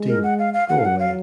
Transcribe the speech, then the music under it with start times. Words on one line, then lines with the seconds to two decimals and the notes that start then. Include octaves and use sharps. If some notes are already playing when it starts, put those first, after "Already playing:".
Dean, go away.
Already playing: G#3
0.08 A#4
0.24 F#5
0.39 F5
0.54 F5
0.69 F#5
0.78 F5
0.85 F#3 F#5
1.00 F5